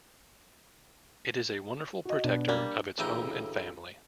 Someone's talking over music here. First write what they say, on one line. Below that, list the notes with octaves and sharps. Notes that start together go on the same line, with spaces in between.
It is a wonderful protector of its home and family.
F#4 D#5
B2 D4
G3 A#3
A1 D2 C#3 E4 G5 A#5